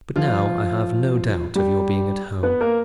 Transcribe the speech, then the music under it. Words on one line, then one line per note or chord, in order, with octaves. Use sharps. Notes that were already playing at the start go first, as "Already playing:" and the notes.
But now I have no doubt of your being at home.
F3 F4
G3 G4
B3 B4
A#3 A#4